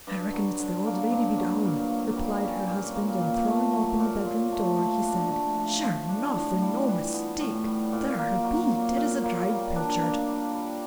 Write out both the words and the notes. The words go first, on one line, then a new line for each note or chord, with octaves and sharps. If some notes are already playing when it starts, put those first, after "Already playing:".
"I reckon it's the old lady be down," replied her husband, and, throwing open the bedroom door, he said: "Sure enough, and no mistake--there her be, dead as a dried pilchard."
G2
F#3
D3
A#3
G2
F#3
A#2
A#3
G3
C#4
A#2
A#3
A#2
A3
F#3
A#2
A#2
A3
F3
D4
A3
F3
F3
D4
A2
G3
E3
B3
A2
G3
A#2
A#3
F#3
A#2
A#2
A#3
G3
D4
A#3
G3
G3